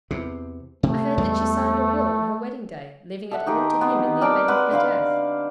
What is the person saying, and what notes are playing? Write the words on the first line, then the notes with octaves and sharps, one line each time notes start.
I heard that she signed a will on her wedding day, leaving it all to him in the event of her death.
E2 C3
C3 A3
E2 G3 G#3
A4 E5 F#5
D#3 D#4 G4 G#4
B3 C4
A#4 D5 G5 A5
G#3 B4 F#5
D3 C5 F5 B5